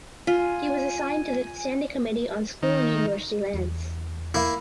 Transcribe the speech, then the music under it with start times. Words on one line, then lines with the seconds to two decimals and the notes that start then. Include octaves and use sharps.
He was assigned to the standing committee on school and university lands.
0.27 F4 G#5
2.62 D#3
3.54 E2
4.34 A#3 E4